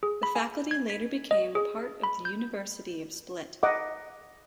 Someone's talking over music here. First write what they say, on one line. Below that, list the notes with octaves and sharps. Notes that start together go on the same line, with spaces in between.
The faculty later became a part of the University of Split.
G#4
B5
G#5
G#6
B6
D#5
G#4
B5
G6
D#5 F#5 D6